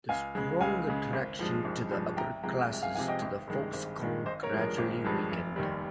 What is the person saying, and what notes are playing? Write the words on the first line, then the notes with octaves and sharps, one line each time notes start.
The strong attraction to the upper classes to the folkeskole gradually weakened.
C#2 F5 G#5
C#3 G#3
C#2 F5 G#5
C#3 G#3
G#1
G2 F3 G#3
G#1
G2 F3 G#3
C2 G5 A#5
C3 F3 G#3 G5 A#5
C2
F5 G#5
C3 F3 G#3 F5 G#5
D#5 G5
G#1
G2 D#3 G#3
G#1
G2 D#3 G#3
G#1 C5 D#5
A#4 C#5
G2 F3 G#3
A#4
G#1
G2 F3 G#3
F1
D#2 D#3 G3